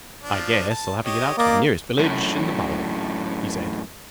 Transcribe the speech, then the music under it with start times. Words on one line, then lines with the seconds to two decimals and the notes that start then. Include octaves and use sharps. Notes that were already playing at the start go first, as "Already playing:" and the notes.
"I guess I'll have to get out to the nearest village in the bubble," he said.
0.23 F3 D4
0.70 A5
1.05 G4 C#5 D#5
1.38 A#3 D5 D#5 D6
1.99 F#2 A2